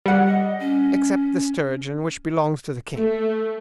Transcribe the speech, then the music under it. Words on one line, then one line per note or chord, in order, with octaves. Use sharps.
"Except the sturgeon, which belongs to the king."
G3 F#5
D#5
C#4
A3